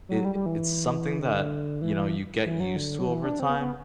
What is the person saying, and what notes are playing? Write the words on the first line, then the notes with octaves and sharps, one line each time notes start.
it it's something that, you know, you get used to over time,
F#3
G3
G3
E3
D3
E3
E3
F#3
D3
F#3
E3
D4
C4
B3
B3